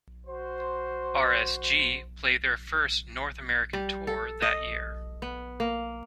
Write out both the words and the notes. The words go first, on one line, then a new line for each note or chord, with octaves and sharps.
RsG played their first North American tour that year.
F#4 C5
G3
A4
D#5
B3
A#3